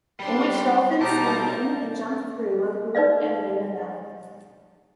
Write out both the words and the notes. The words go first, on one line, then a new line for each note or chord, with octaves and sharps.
In which dolphins swim in and jump through a hoop and ring a bell.
G3 D4 D5 C6
B2 G3 D#4 C5 A5 A#5 D6
D#4 B4 D5 D#5 F5